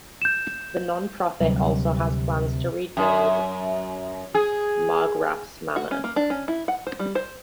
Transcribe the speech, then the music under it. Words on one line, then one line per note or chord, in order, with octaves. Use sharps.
The non-profit also has plans to rebuild Marggraff's manor.
G6 E7
D2 C3 F#3 G3
F#2
G#4
F#4
C#4
A#3
D4
C#4
E4
F#5
C5
G3
C5